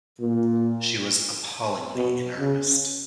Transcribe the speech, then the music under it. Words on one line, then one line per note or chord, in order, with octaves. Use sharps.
She was appallingly in earnest.
A#2
B2
C#3